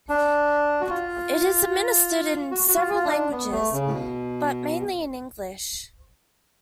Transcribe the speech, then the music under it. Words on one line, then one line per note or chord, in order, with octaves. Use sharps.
It is administered in several languages, but mainly in English.
D4
F#4
F4
F#4
F#4
F4
F4
D4
B3
A3
C#3
A2
B2